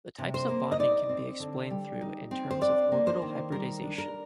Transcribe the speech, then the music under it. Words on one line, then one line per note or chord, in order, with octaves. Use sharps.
The types of bonding can be explained through in terms of orbital hybridization.
C3
C5
A#3
D#5
D#4 D5
C4
D3
G3
D#4
C4
C5
D4 D5
A#3
C5
D#3
G3 A#4
D4
A#4